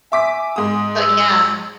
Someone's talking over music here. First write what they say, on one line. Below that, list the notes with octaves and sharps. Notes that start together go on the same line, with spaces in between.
So yeah.
E5 G#5 D6 B6
G#2 D#6
E6